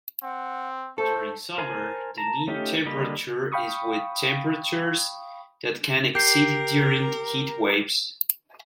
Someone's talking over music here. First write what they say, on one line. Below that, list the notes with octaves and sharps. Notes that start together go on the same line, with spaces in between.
During summer, the mean temperature is with temperatures that can exceed during heat waves.
C4 F#5
A3 A4 C5
A#4 C5 G#5 A5
A5 A#5
A3 C#4 D#4 F4 G4
D3 G3 A#3 D#5 B5
F5 G5 B5 C#6 D#6
G4 A#4 G6 C7